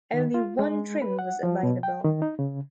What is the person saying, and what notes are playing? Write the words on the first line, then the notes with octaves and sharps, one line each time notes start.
Only one trim was available.
D#3
F4
G#3
B4
F#5
F3
B2
G5
D#3
D#4
C#3